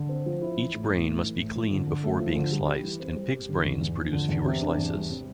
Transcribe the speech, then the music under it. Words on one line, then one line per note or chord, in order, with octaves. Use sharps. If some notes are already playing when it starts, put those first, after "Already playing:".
Each brain must be cleaned before being sliced and pigs' brains produce fewer slices.
Already playing: D3
C4
F3
E4
E3
A2
A2
A3
E3
A2
F3
D3
D3
A3
F3
D3
G3
G4
E3
C4
G3
G4
D3
E2
E2
F3
D3
E2
C3
D4
E2
G3
C3